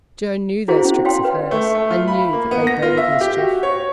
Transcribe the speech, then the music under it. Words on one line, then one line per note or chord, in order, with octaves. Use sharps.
Joan knew those tricks of hers and knew that they boded mischief.
E4 F#4 G#4 C5 F5
C#4
C#5 F5 G5 C6
B4
A3
A3
F4
B5
A#3
B3
A#6
F4
E5
G4
F#4
C#5